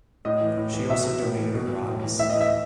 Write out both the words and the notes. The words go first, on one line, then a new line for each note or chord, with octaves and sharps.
She also donated her eyes.
A2 D#5
E3
A2
E3
B2 E5
A2
E3
B2
A2
E3
A2 E5
D#5
E3
E5